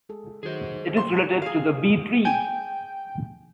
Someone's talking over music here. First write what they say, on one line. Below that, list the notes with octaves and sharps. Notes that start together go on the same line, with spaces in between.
It is related to the B-tree.
G#3 G#4 A4
D#3 F#3 F#4 G#4 C5
C6
G#4 F5
G5 G#5